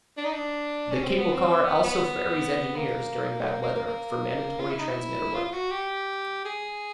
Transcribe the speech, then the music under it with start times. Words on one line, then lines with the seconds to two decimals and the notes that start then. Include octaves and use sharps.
The cable car also ferries engineers during bad weather, for mandatory transmitter work.
0.17 D4
0.24 D#4
0.32 D4
0.91 C#4
1.04 C4
1.18 B3
1.32 C4
1.64 B3
1.84 B3
2.76 A#3
3.41 A3
3.50 A#3
3.62 A#3
3.75 A#3
3.86 A#3
4.60 F4
4.70 E4
4.79 D#4
4.89 E4
5.34 F4
5.45 F4
5.53 F#4
5.71 G4
6.45 G#4